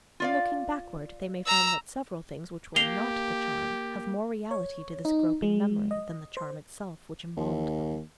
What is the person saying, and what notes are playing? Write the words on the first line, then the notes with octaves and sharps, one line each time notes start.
In looking backward they may find that several things which were not the charm have more reality to this groping memory than the charm itself which embalmed them.
F4 D5 F5
A#5 E6
A#3 G4 C7 F7 G7
C#5
D#4
G#3
D#5
C5
D#2